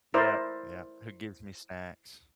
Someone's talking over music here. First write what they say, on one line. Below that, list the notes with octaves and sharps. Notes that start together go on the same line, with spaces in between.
Yep. Yep. "Who gives me snacks,"
E4 A#4 C5 D5 E5